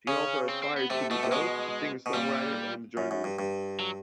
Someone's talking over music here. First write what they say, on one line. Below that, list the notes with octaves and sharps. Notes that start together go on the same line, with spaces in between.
She also aspires to be both a singer-songwriter and a journalist.
C#3 C#4
C4
C4
B3
C3 A3
B2 A3
C3
B2 G#3
B2
A#2 G3
F#2
F#2
G2
G2
F#3